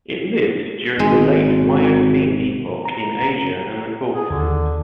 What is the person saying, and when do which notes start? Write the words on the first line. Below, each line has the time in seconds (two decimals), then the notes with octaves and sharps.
It lived during the late Miocene Epoch in Asia and the Caucasus.
0.99 G#1 G#3
2.85 A#5
4.14 G#4
4.31 D#2 D3